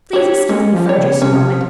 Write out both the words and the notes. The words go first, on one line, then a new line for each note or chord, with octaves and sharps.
Please excuse me for just a moment.
G4 C#5
G#3 C#4
F3
G4 C#5
C#3
C3 C#4